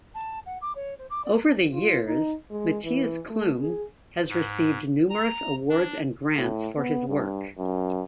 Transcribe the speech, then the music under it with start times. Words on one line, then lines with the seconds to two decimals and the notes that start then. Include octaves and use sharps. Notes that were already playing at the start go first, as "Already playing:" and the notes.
Over the years, Mattias Klum has received numerous awards and grants for his work.
0.14 A5
0.45 F#5
0.61 D6
0.75 C#5
0.98 C5
1.09 D6
1.24 D5
1.73 F4
2.06 D#4
2.51 G#3
2.84 E3
3.29 A3
3.59 G#4
4.29 G#2
5.10 A#5
5.69 D4
6.37 A2
6.77 B3
7.09 G2
7.58 F#2